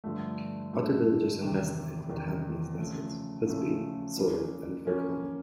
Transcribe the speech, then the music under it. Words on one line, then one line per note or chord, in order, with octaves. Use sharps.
Other villages in Nesna include Handnesneset, Husby, Saura, and Vikholmen.
G2 D3 F3 A3
G2 D3 F3 A3
E2 C3 D#3
E2 C3 D#3
C#3 F3 A3
C#3 F3 A3
F3 A#3 C#4
F3 A#3 C#4